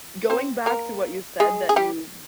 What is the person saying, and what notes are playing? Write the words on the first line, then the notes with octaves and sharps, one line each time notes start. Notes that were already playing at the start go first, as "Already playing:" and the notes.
going back to what you said that you,
C4 C5
A#3 A#4
G#3 G#4
G#4
G3 G4